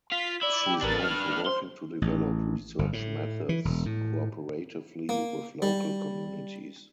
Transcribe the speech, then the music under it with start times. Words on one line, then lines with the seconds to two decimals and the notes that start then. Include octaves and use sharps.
She is known for working to develop research methods cooperatively with local communities.
0.12 F4 B6
0.43 E4 D5
0.66 G4
0.82 A1 D4 A#4 B4 A6
0.99 F6
1.46 C5 C6
2.02 A1
2.79 G1
2.93 A2
3.49 E3
3.65 E1
3.86 A2
5.09 A#3
5.62 G3